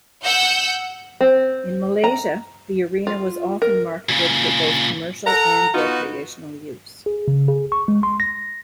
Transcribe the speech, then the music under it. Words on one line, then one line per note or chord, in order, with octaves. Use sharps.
In Malaysia, the Arena was often marketed for both commercial and recreational use.
F#5 E6 G6
C4
A#5
F4
A#4
A#2 C#3
A4 F#5 A#5
B3 D#4 F4 F#4
G#4
C#3
G#4
C#6
G#3
C6
A#6